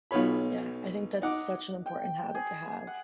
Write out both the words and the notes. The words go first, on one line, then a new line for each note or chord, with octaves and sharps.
Yeah, I think that's such an important habit to have.
B1 B3 F4 C#5 B5
D#4 F#5 D6
G5
G#4
F#5